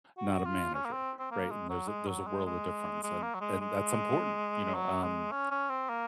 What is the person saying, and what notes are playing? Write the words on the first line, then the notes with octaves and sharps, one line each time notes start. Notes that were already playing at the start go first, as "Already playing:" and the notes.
not a manager, right, and there's a there's a world of difference and and that's important, you know, um,
F#4
F4
C#4
A#3
C4
C4
A#3
G#3
F#3
G#3
F#3
G#3
G#3
G#3
A#3
F#3
G#3
G#3
F#3
G#3
C#4
C#4
C4
A#3